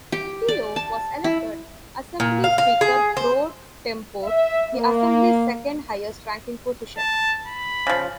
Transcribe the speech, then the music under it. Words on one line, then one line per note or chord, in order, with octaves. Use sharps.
Kehoe was elected Assembly Speaker pro Tempore, the Assembly's second highest-ranking position.
G4
D5
A5
E4
A#2
F5
F5
G#4
C5
E5
A#3
A5
B5
C#3 F3